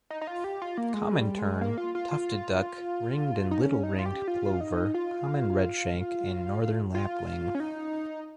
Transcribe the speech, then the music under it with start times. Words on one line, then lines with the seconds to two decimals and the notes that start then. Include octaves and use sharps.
Common tern, tufted duck, ringed and little ringed plover, common redshank and northern lapwing.
0.10 D#4
0.21 D#4
0.27 F4
0.44 G4
0.62 F4
0.78 A#3
0.94 G#3
1.16 G3
1.39 G#3
1.61 A#3
1.78 F4
1.95 F4
2.11 F4
3.51 D#4
3.61 C#4
3.83 D#4
3.99 F4
4.06 G4
4.28 F4
4.61 D#4
4.94 F4
6.95 F4
7.55 C#4
7.60 D#4